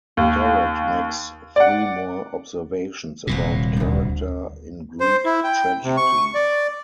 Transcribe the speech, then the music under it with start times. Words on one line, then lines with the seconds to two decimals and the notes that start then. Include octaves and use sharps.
Garet makes three more observations about character in Greek tragedy.
0.17 D#2
1.56 D5 F#5
3.27 D#1 C2 A#2
3.77 D2 E4
5.00 C5
5.25 E4
5.44 G5
5.83 C3
5.97 C#6
6.35 D5